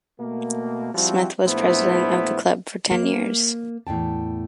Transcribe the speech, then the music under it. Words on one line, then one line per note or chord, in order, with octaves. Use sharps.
Smith was president of the club for ten years.
B2 A3 A#3
F3 G3 C4 E4 F#4
A#1 A3 B3 E4 C5
A#3
E2 A2 C#3 G5 A5